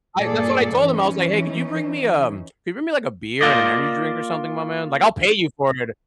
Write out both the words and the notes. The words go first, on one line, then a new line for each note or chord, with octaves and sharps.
I that's what I told him, I was like, "Hey, could you bring me um could you bring me like a beer and an energy drink or something, my man? Like, I'll pay you for it
G2 A#2 A#3 G#4 A4 D5
E3 C#4 D#4
A#3 F4 D5 D#5